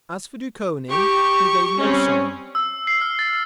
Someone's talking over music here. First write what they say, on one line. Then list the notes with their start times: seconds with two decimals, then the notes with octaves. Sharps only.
As for Dukhonin, he gave no sign.
0.90 G4 C#6
1.80 G3 C4 C#4
2.55 E6
2.87 C7
3.01 F6
3.19 A6